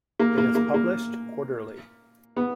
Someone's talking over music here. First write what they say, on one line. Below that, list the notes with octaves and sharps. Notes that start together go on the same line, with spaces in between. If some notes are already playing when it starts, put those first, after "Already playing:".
It is published quarterly.
A#3
A#3
A#3
A#3
B3